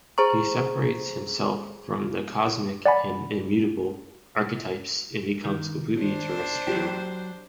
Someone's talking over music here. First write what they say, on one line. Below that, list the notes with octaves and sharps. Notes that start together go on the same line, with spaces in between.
He separates himself from the cosmic and immutable archetypes and becomes completely terrestrial.
G#4 C5 A#5 C#6
D5 F#5 G#5 B5
D#3
D4 C5
F#3 G4